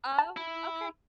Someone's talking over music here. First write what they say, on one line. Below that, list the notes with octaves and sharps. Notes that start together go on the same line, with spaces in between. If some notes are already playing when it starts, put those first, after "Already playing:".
Oh, okay.
A5
E4